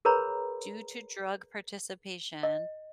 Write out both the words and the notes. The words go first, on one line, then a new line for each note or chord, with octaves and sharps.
due to drug participation.
G#4 A#4 B4 C#5 A#5 B5
D#5